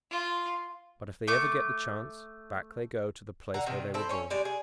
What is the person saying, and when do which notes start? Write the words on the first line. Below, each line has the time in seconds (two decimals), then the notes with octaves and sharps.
But if they ever get the chance, back they go to the place where they were born.
0.11 F4
1.28 A3 D6
3.54 D3 F#5 A#5
3.66 C3 D#3
3.94 C4 E4 A4
4.09 C#4 C#5
4.30 G3 G#3 D5
4.45 G#4